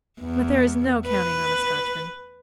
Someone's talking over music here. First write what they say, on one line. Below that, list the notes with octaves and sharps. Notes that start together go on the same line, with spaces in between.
But there is no counting on a Scotchman.
E2
B4